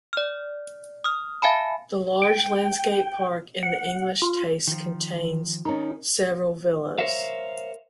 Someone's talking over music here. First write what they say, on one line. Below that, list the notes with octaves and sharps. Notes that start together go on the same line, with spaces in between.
The large landscape park in the English taste contains several villas.
D5 F6
D#6 F6
E5 F5 G#5 A5 B5
G5
F#5
F4
D#3 F3
D#3 C#4 D#4
A#4 C5 C#5 E5 F5